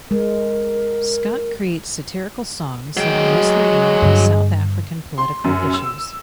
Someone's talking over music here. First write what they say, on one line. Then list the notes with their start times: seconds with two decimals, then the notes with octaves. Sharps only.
Scott creates satirical songs that are mostly aimed at South African political issues.
0.11 G#3 A#4
2.97 F#3 G#3 G5
4.02 G2 D3
5.18 C6
5.44 F#2
5.74 E6